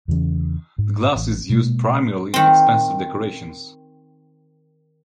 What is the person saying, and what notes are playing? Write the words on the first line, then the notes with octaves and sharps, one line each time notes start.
The glass is used primarily in expensive decorations.
E2 C#3 E3 C#4
G#2
A1
B2 G#3 A#3
D#3 C4